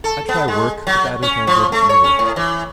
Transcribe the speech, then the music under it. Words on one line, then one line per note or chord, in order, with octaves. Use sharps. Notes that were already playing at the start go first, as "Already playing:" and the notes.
I try work, but that is no good either.
A4
B3
G#3
F#3
C#4
F3
A3
C#5
C#4
A2
E3